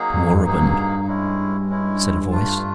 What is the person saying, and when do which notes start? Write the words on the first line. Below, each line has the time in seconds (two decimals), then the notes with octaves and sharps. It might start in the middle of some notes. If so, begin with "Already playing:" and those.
"Moribund," said a voice.
Already playing: F#3 A#3 D#4 G#4
0.14 F2
0.45 G2 F#3 A#3 D#4 G#4
1.07 G#3 C#4 E4
1.69 G#3 C#4 E4
2.31 A3 D4 F4